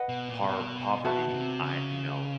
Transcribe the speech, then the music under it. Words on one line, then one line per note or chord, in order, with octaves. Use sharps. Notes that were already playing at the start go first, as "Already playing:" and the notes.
par poverty, I you know,
Already playing: B4 D#5 F#5
B2
A#2
C3
B2
B2 F#4 B4 E5 A5
B2
C3
C#3